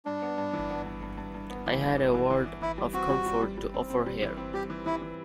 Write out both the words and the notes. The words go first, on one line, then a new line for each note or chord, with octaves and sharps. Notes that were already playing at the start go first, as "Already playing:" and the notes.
I had a word of comfort to offer here.
G2 D4
B3
G2
E3
B3
G2
G2
G2
G2
B3
E3
G2
E3
E3
E3
E3
E3 E4
G3
C4 F#4
G3
G3
G3
G3
C4
C4
G3
E3
C4
G3 G4
E3
E3 E4
E3